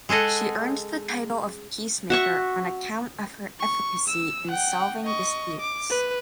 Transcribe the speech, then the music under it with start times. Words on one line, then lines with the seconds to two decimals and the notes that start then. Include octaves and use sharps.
She earned the title of "Peacemaker" on account of her efficacy in solving disputes.
0.09 G#3 G#4 A4 D#5 F#5
2.10 F#4 E5 C#6
3.60 C#6
4.08 E6
4.48 F#5 G5
5.04 D#5 C#6
5.60 D6
5.90 B4